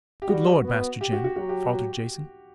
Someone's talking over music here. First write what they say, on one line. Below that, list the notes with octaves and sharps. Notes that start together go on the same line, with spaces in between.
"Good Lord, Master Jim!" faltered Jason.
G4
G3 F#4
B3
G4
F#4
F#4
F#3 F#4
G4